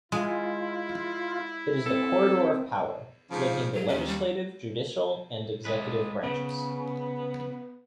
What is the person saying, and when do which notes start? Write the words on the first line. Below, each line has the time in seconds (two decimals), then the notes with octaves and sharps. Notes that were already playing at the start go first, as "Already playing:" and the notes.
It is the corridor of power, linking the legislative, judicial, and executive branches.
0.12 G#3 E4 F4
1.86 C4 A4
3.31 G#2 C#3 F3
3.74 F#3
3.88 D#2 C#4
4.08 G3
5.65 G#3 B4
6.23 C#3 B3